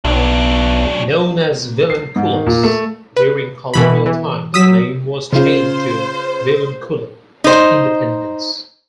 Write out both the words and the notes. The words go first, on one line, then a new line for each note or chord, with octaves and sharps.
Known as "Vilanculos" during colonial times, the name was changed to "Vilankulo" at independence.
B1 F#3 D4
C7
G#2
D#3
A#2
A3
B4
B2 E3 B5
E3
F#3 D#6 E6 B6
C#3 F4 C5
D#4 C5